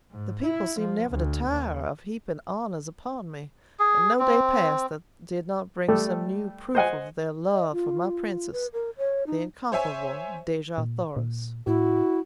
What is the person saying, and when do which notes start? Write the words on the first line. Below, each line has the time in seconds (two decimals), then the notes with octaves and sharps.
The people seemed never to tire of heaping honors upon me, and no day passed that did not bring some new proof of their love for my princess, the incomparable Dejah Thoris.
0.11 G#2
0.43 E4
0.80 F3
1.09 D2
1.49 D#2
3.79 G#4
4.19 C4
5.88 G3 A3 G4 A4
6.75 C5 D#5 F#5 G#5
7.52 D#5
7.72 F4
8.52 B4
8.73 A#4
8.98 C#5
9.27 D#4
9.72 C5 C#5 E5 G#5
10.78 A#2
11.17 A#2
11.67 A2 E4 F#4